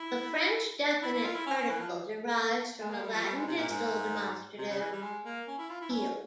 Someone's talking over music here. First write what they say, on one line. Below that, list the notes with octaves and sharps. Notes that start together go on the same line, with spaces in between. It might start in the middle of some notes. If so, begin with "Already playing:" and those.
The French definite article derives from a Latin distal demonstrative, "ille".
Already playing: E4
E4
E4
F4
E4
C#4
C#4
E3
F3
G#3
A#3
G3
F3
G3
G#3
C3
A#2
G#2
C3
C#3
E3
G3
G#3
A#3
C#4
E4
F4
E4
C#4